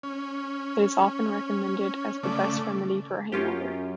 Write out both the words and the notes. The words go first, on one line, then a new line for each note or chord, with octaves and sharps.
It is often recommended as the best remedy for a hangover.
C#4
C#3 A3 D5
F#2 C#4 F4 G4